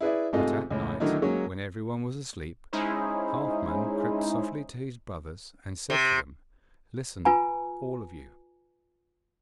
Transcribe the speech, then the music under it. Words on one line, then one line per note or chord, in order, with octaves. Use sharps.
But at night, when every one was asleep, Halfman crept softly to his brothers, and said to them, 'Listen, all of you!
E4 G#4 B4 D5 E5
G#2 C3 A3 F4 A4 D#5
C#2 A2
D3 D#3 F#3 A3 D#4 E4
F#3 G#3 A#3 C#4
G#3 C#4 D#4 E4 G#4 C5
C3
F4 B4 G#5 A#5